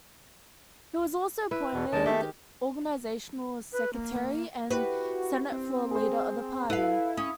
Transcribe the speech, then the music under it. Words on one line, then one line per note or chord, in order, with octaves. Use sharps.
He was also appointed organisational secretary and Senate floor leader of the party.
E4 B4
E2 B2
D#2 D#3 G#3 A5
A3 G4 A4 E5
B4
A#3
E4 F#4 G4 B4
C4
G#4 C5
E4 A4 B4 F5
C#4 D#6